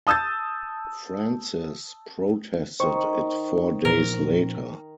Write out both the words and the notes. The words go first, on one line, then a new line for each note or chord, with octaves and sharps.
Francis protested it four days later.
A5 D#6 E6 G6 A6
D#3 C5 C#6
A#2 F3 A#4